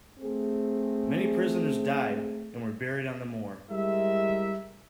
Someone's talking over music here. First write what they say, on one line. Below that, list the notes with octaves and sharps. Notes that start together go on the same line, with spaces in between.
Many prisoners died and were buried on the moor.
A3 C4 G#4
G3 G#3 E4 A#4 E5